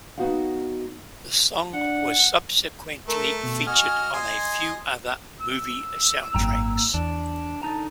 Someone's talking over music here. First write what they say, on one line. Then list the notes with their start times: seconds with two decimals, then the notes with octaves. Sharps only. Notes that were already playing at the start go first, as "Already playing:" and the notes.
The song was subsequently featured on a few other movie soundtracks.
0.18 B3 D#4 F#4 F5 F#5
1.74 D4 F#5
3.07 A3 A#4
3.43 B2
3.67 F#4 D#5 G#5 F6
4.13 D#5 G#5 C6
5.40 E6
6.34 G#1 F#2 A#3 G5 A#5
6.94 E2 D4
7.63 D3 D#4 A5 A#5